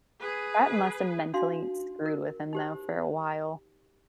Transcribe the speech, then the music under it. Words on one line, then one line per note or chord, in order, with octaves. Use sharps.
That must have mentally screwed with him, though, for a while.
G#4 B4
D4 D#4 F#4 F5 C6
A#4
D#4 G4 C5